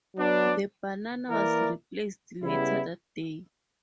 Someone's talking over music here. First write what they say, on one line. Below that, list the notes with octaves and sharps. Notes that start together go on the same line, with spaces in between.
The banana was replaced later that day.
F#3 B3 D4
E3 A#3 E4 A#4 D5
C#3 G3 B3 E4